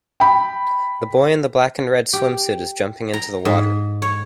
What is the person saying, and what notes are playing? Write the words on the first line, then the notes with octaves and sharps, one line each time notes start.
The boy in the black and red swimsuit is jumping into the water.
G5 B5
G4
A#5
G#2
C#5